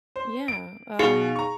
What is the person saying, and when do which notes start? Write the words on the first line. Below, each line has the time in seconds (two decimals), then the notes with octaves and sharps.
Yeah, um,
0.16 C5
0.48 D7
0.99 B2 D#4 G#4 F5 F7
1.36 A#5 C#6